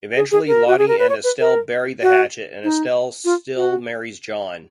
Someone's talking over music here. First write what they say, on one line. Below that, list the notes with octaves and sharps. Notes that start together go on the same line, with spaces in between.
Eventually Lotte and Estelle bury the hatchet and Estelle still marries John.
G#4
G#4
A#4
F#4
G#4
A#4
B4
C#5
B4
A#4
F#4
D#4
F4
F#4